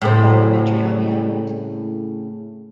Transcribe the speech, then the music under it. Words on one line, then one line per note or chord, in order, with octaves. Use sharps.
documentary on him.
A2 C#3 C4